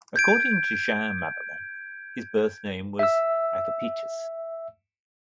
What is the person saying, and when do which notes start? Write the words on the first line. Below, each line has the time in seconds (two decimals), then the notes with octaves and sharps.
According to Jean Mabillon, his birth name was Agapitus.
0.16 G6 G#6 D7
2.99 E5 E6